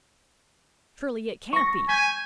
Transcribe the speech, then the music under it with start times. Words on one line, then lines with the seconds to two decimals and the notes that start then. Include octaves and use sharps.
Surely it can't be?
1.53 C#6 A#6
1.89 G#5 G6 B6 E7